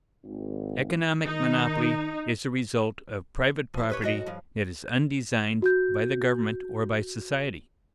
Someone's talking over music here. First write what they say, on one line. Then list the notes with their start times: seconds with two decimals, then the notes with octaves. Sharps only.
Economic monopoly is a result of private property that is undesigned by the government or by society.
0.24 G#1
1.25 D#3 D#4
3.74 F3 E4
3.90 G4 B4 C#5
4.02 F#2 F#4 D#5
4.26 G2 F3
5.62 F#4 G6